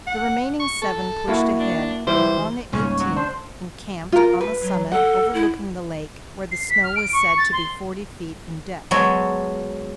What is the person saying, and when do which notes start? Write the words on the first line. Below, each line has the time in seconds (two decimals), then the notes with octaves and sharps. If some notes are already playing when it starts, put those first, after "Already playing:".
The remaining seven pushed ahead, and on the eighteenth, encamped on the summit overlooking the lake, where the snow was said to be forty feet in depth.
0.07 F#5
0.59 C#6
0.82 A4
1.28 A#3 E4 F#4
1.59 D4
2.07 E3 G3 E4 C5
2.73 C#2 G#2 C#3 G3 A#3 C#4
2.85 C#5
3.00 F#3
3.16 D4 C5
4.12 F4 A#4
4.41 B4
4.62 F#3
4.92 A4 F#5
5.34 E4
6.52 C7
6.70 B6
6.83 F6
6.96 D7
7.13 C#6
7.38 A6
7.53 C6
8.91 F#3 G#3 B3 A4 C#5